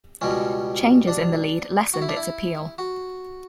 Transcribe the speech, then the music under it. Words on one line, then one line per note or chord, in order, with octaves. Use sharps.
Changes in the lead lessened its appeal.
C#2 B2 G3 C#4
D4
F#4
E4
D4
E4
F#4